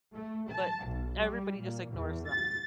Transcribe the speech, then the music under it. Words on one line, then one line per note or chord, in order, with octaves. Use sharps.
but everybody just ignores them.
A3
A5
B1
G3
A#2
E2
A6